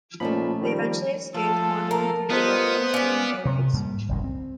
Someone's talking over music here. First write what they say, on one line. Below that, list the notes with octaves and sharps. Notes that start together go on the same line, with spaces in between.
They eventually escaped, wandering through the wilderness eating berries.
A#2 F3 A3 C#4 D#4 B5
D#3 F3 G3
F3 A3 A4
A#4
B3 F4 C5 D#5
C#4 D5 F5 G#5
C3
G#2 G3 A3 A#3
F#1 C2 D#3
C4